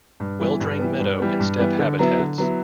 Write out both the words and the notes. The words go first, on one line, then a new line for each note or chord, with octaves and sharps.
Well-drained meadow and steppe habitats.
G2
E3 G3 B3
G2
E3 G3 B3
G2
E3 G3 B3
G2
E3 G3 B3
D3
F#3 B3 E4
D3
F#3 B3 E4